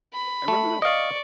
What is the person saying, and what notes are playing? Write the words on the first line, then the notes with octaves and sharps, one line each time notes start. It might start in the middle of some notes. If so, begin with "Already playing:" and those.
I remember the
B5
A3
D5 D#5 F5 C#6